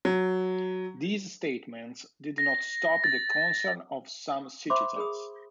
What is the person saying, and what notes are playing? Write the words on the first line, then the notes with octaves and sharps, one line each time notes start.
These statements did not stop the concern of some citizens.
F#3
A#6
A6
C5 E5 B5 C6 D6
G#4 A#4 B5 D#6